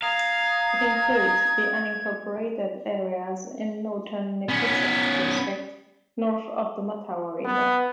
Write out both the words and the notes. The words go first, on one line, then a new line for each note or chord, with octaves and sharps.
It includes the unincorporated areas in northern Nipissing District north of the Mattawa River.
F5 A#5 D#6 G#6
B3 C#4
B3